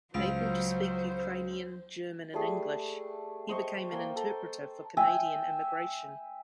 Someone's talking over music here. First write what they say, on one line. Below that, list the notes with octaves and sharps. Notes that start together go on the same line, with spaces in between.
Able to speak Ukrainian, German and English he became an interpreter for Canadian immigration.
C#2 F#3 F4 C5 G5
G3 A3 G#4
C5 D#5 C#6
A#3 G5 G#5
A4
E5 G5 G#5